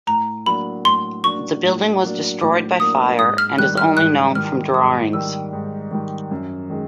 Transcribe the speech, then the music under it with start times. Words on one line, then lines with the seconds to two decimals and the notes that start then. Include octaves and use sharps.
The building was destroyed by fire and is only known from drawings.
0.07 A2 A#5
0.46 F#3 A#3 D4 B5
0.85 A2 C6
1.24 F#3 A#3 D4 C#6
1.63 A2
2.02 F#3 A#3 D4
2.41 A2 D6
2.80 F#3 A#3 D4 D#6
3.19 G#2 D#6
3.38 F6
3.58 D#3 G3 F#6
3.77 F6
3.97 G#2 F#6
4.35 D#3 G3 F6
4.74 G#2 D#6
5.13 D#3 G3 E6
5.53 G#2
5.91 D#3 G3
6.31 F#2
6.70 D#3 G#3